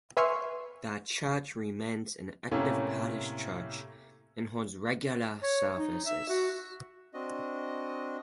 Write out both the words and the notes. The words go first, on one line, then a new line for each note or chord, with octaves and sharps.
The church remains an active parish church and holds regular services.
B4 E5 G#5 C6 C#6 F6
A2 C3 A3 A#3 C#4
C#5
D#4
E5
F#4
C4 D4 F#4 D#5